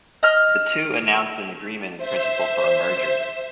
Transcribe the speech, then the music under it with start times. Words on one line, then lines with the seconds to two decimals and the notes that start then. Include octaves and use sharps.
The two announced an agreement in principle for a merger.
0.23 D#5 F6
1.97 C5 E5 E6